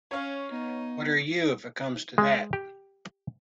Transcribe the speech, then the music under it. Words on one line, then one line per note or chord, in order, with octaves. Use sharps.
What are you, if it comes to that?
C#4 C#5 F5
B3 D#4
G#3
G4